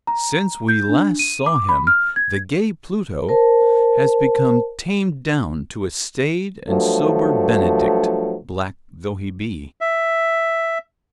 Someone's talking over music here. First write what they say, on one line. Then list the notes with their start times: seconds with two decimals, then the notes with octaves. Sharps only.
Since we last saw him, the gay Pluto has become tamed down to a staid and sober Benedict--black though he be.
0.07 A#5
0.68 G6
0.89 D4
1.19 D#7
1.46 D6
1.69 B5
1.87 F6
2.16 G#6
3.29 A#4 C5 A5
6.68 G2 F3 F#3 A3
9.81 E5